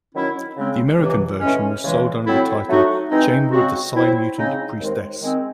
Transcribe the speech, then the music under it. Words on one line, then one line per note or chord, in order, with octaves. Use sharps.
The American version was sold under the title Chamber of the Sci-Mutant Priestess.
D#3 F#3 C#4 E4
C#3 G#3 C4
C#2 C3 E3
A2 E3 G#3 C#4
E2 C#3 E3 G#3
A2 F#3 C4 E4 A4
F#3 A3 D#4 F#4
E3 G#3 C4 D#4
C#3 G#3 C4 F#4
F#3 C4 E4
C#3 G#3 C4 D#4
D#2 D#3 G#3 C4
D#3 G#3 C4